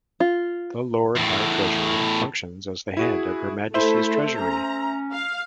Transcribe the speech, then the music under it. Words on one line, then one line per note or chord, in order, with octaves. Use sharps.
The Lord High Treasurer functions as the head of Her Majesty's Treasury.
F4
E2 A2
E4 F#4 G#4
A3 E4 A4 C5 E5
C#4 A#5
F5